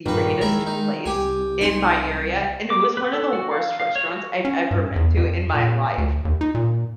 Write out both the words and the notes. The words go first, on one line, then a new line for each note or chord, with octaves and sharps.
highly-rated place in my area, and it was one of the worst restaurants I've ever been to in my life
A#1 G2 D#3 B4
G#3 E4 G#4 A#4
D#4
C2 G4 G#5
D#4 G#5 C6
D6
B4
A4
F#4
F5
F5
C#5
F#4
C#4
G2
E2
F2
A#2
D2
D#2
D#4
A#2